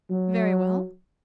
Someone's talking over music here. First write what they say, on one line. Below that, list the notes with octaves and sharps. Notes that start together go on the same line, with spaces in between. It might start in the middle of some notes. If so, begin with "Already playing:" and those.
'Very well.
F#3